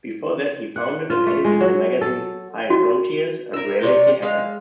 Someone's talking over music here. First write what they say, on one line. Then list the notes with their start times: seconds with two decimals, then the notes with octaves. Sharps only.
Before that he founded and edited the magazines "High Frontiers" and "Reality Hackers".
0.76 F#5
1.10 F4
1.27 A3
1.44 G#3
1.61 F#3
2.01 A4
2.70 F#4
3.54 A#4 E5
3.83 C3 C#5 D5
4.22 G#3 F5